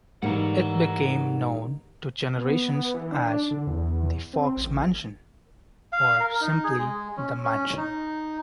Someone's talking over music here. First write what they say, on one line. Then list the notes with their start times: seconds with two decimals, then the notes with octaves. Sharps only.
It became known to generations as "the Fox Mansion" or simply "the Mansion".
0.22 G#2 E3 G3 A3 A#3 F#5 A#5
2.38 B3
2.94 E3
3.12 D4
3.51 D3
3.67 E2
4.33 C4
4.57 A1
5.92 F5
6.20 A#4
6.41 D#4
6.64 G#4
6.78 G#3
7.17 C#4
7.44 C#4
7.77 D#4